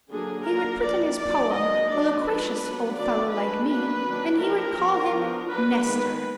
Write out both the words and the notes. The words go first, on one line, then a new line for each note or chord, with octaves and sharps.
He would put in his poem, a loquacious old fellow, like me, and he would call him Nestor.
D3 F#3 A#3 D4 G#4
F#3 A#3 D4 A#4
F3 A#3 D4 D5
F#3 A#3 D4 D5
D#3 F#3 A#3 D#5
F#3 D4 D5
F3 G#3 D4 B4
F#3 B3 D4
D#3 F#3 D4 D5
F#3 D4 B4
F#3 A#3 D4 B4
D#3 F#3 A#3 D4
F3 A#3 D4 A#4
F3 B3 D4
F3 B3 D4
F#3 D4 B4
D#3 G#3 B3 B4